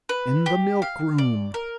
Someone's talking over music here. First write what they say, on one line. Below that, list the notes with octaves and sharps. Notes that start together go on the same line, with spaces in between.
"In the milk-room."
B4
G4
F5
D5
A#4